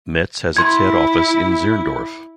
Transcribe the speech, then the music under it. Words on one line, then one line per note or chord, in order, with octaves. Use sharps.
Metz has its head office in Zirndorf.
E4 C6 G#6